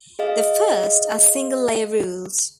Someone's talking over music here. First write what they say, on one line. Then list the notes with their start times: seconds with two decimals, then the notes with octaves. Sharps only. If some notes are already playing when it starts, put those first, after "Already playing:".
The first are single layer rules.
0.19 G#4 D#5 F5